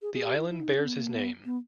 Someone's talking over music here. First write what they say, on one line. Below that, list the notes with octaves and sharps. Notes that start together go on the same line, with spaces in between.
The island bears his name.
G#4
G#4
G4
E4
E4
D#4
C#4
B3
A#3
B3
B3